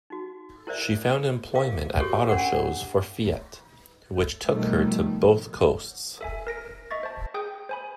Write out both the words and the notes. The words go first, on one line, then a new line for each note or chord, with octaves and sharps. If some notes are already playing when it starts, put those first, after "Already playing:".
She found employment at auto shows for Fiat, which took her to both coasts.
D#4 F#4
E4 A#4 C5 D5 E5
E4 A#4 E5 F5 D6
F#4 G4 A4 A#4 C#5
C#4 D4 A#4 F#5
B2 D#3 F3 G3 A3
A4 E5 G#5
A#4 A#6 D7
D#5 E5 C#6 A6
C5 A5
G#4 G5 D#6 G6
C5 G#5 B5